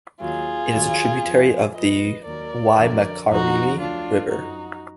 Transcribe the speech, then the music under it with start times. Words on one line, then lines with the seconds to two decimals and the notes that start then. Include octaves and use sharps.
It is a tributary of the Waimakariri River.
0.21 D#2 D#3 F#3 F4 G#4
0.73 D#2 D#3 F#3
1.24 F2 F3
1.75 F2 F3 B4 D#5
2.26 D#2 D#3 F#3 A#4 D5
2.77 F2 D3 F#3
3.28 F2 F3 D#4 F#4
3.79 D2 D3 F#3 D4 F4
4.30 F#2 F3 D#4 F#4